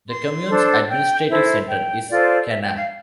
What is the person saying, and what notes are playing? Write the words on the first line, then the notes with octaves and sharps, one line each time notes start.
The commune's administrative centre is Canach.
C6
D4 A4 C5
G5
E4 A4 C5 E5
G5
F4 A4 C5 D5
E5
G5
F5